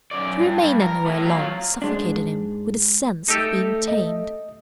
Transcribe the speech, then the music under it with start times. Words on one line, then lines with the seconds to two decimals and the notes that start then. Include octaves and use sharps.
To remain anywhere long suffocated him with the sense of being tamed.
0.11 F#2 D5
0.40 G2
0.59 G2
0.81 A#4
1.06 A2
1.23 F#3 F4
1.82 G#2 G#3 D4
3.28 A3 D#4 G4 A4 A5 E6
3.88 D#5